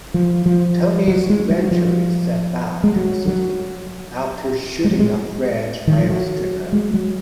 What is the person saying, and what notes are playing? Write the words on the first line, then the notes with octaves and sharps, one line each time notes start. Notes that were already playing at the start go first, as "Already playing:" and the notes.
Tony is eventually sent back to the city, after shooting a French male stripper.
F3
F3
F#3
G#3
F#3
F3
G#3
F#3
F#3
G#3
F#3
G#3
D#3
F3
F#3
G#3
F#3